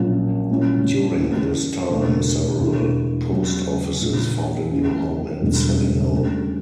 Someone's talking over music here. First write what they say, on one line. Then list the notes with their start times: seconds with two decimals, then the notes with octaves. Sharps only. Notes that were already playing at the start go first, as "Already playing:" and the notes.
During this time, several post offices found a new home in Seminole.
Already playing: A#1 A#2 F#3 A#3 C#4
0.50 A#2 G3 C#4 E4
1.19 F#2 E3 A#3 C#4 E4
1.90 E1 D2 D3 A#3
2.60 E1 E2 D3 A#3 E4
3.30 E2 C#3 F#3 C#4
4.01 A#1 A#2 A#3 D4
4.72 F#2 C#3 E3
5.42 E1 E2 D3 G3
6.12 D2 C#3 G3